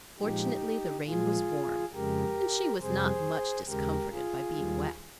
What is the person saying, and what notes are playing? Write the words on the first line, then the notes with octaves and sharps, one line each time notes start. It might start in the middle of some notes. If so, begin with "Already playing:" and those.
Fortunately the rain was warm, and she was not much discomforted by being wet.
A#2 F3 G#3 D#4 G4
A#2 F3 G#3 F4 G#4
F2 C#3 G#3 G4 A#4
F2 C3 G3 G#4 C5
D#2 C#3 G#3 G4 A#4
F4 G#4
D#2 D#3 G3